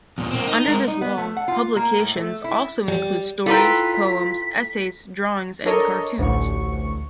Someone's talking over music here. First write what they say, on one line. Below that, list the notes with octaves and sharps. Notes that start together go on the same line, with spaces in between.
Under this law, 'publications' also include stories, poems, essays, drawings and cartoons.
E2 A#2
A#3 C4
D#4
G#3 A#4
D#4
B3
A3
F#5
F4
A#3
A2
A3
E4
G3
E4 F4 A4 B4 G5 A#5 B6
D4 A4 A#4 C#5 D#5
A1 D2 C#6